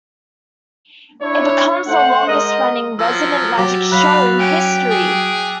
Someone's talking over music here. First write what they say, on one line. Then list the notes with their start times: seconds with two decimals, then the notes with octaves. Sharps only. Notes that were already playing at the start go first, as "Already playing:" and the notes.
It becomes the longest running "Resident Magic Show" in history.
1.22 D4 E4 C#5
1.87 A3 C5 F#5
2.27 G#3 A#4 D#5
2.99 F3 F#3 E6 A#6
3.57 F#3 G4 D6 A6
3.92 F#3 F#4 F5 B5 F#6 B6 F7
4.39 C#4 G5
4.91 G#4